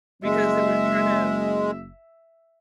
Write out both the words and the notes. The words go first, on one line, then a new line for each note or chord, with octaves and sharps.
because they were tryna
F#1 G#3 E5